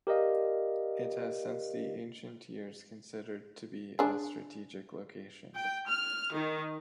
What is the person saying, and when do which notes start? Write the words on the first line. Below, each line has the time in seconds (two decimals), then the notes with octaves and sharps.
It has since the ancient years considered to be a strategic location.
0.07 G4 A#4 D5 D#5 F5
3.99 D4 G#4
5.55 G5
5.88 F6
6.33 D#3